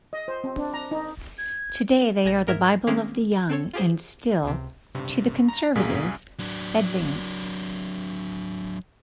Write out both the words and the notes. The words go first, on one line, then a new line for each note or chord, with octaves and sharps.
Today they are the Bible of the young and still, to the conservatives, "advanced."...
D#5
C5
C4
D4
A#5
D#4
G#6
A#1 G#3 G#5 A#6 D#7
G#2 A#4 D#5 E5 F6 G#6
D#3 G#3 A#3 C4 C#4 G#4
C4 A4 C#5
F4 G4 G#4 C5
C#2 C3
G2 C3
A#5
C2 F#2 A#2 A#3 G#4 B6
F#3 D4